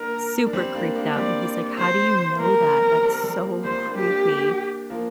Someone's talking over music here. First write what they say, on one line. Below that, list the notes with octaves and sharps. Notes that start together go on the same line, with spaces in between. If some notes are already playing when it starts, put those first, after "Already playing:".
super creeped out, and he's like, "How do you know that? That's so creepy."
Already playing: A#3 D4 A#4
D4
G3 C4
A#3 D4
A#3 D4
G3 C4 D5
C5
A#3
G3 A#4
G3
G3 C4
G3 C4
G3 C4
F3 A#3
G3 C4 C5
A#3 D4
G4
A#3 D4
F3 A#3